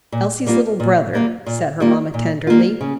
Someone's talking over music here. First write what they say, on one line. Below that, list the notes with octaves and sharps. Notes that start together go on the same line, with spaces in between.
"Elsie's little brother," said her mamma, tenderly.
A#2
G3 A#3 F4
A#2
G3 A#3 F4
A#2
G3 A#3 F4
A#2
G3 A#3 F4
C#3